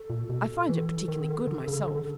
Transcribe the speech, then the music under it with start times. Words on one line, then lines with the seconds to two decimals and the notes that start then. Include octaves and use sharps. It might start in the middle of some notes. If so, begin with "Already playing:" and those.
"I find it particularly good myself."
Already playing: A4
0.10 A#2
0.30 B2
0.69 E3
1.08 D#3
1.47 D3
1.68 C#3
1.88 D3